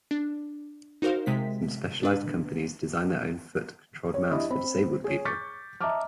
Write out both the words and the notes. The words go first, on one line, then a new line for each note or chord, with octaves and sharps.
Some specialized companies design their own foot controlled mouse for disabled people.
D4
D#4 F#4 A#4 C5 F5
C3 G#3 B6
D4 B4
C#5
D4 E4 G4 D#5
C4 B5
G#4 C#5
C#6 D6 G6 A6 B6 C#7
D#5 E5 A5 A#5 D6 F6